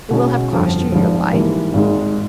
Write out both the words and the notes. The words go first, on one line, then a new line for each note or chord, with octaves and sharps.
It will have cost you your life?
B2 G#3 C#4 F#4
G1 F2 D3 F3
G#1 G#2 F3
G#2 E3 G3 A#3
G#1 G#2 D#3 G#3